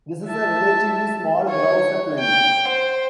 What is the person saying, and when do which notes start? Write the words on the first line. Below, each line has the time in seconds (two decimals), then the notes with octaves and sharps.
This is a relatively small grouse at length.
0.27 E5 A5
1.50 C#5
2.20 G5
2.68 C5